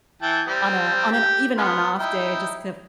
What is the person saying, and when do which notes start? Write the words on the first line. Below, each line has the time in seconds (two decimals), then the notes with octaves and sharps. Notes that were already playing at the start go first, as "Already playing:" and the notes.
On a on an even on an off day just cuf
0.22 E3 G5 A5
0.47 G3 C4
1.12 G4
1.58 B3 F4
1.99 D#4 E4 G5